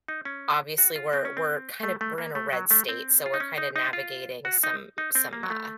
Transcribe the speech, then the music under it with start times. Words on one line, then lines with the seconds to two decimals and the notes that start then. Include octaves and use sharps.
obviously, we're we're, kind of we're in a red state, so we're kinda navigating some some, uh,
0.08 D#4
0.25 C#4
0.78 F#4
0.96 F4
1.13 C4
1.25 C#4
1.37 C4
1.83 A3
2.01 A3
2.18 A#3
2.35 A3
2.53 F#3
2.71 A3
2.89 C4
3.26 F4
3.34 D#4
3.40 C#4
3.58 D#4
3.76 D#4
3.93 F4
4.45 F#4
4.63 D#4
4.98 D#4
5.15 C4
5.33 A#3
5.43 F#3
5.50 A3